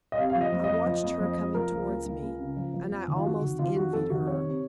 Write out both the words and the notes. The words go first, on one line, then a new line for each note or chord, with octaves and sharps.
I watched her coming towards me, and I almost envied her.
D#5
C3 F5
F5
F3
D#5
F2
D#5
F2
F3
F2
F2
F2
F3 A#4
C#2
C#2
C#2
C#2
C#3
F3
F3
F2
D#3
F4
F2 F#4
D#3
D#3 F4
F2 F#4
F2 A4
D#3 F#4
C3 C#5
C3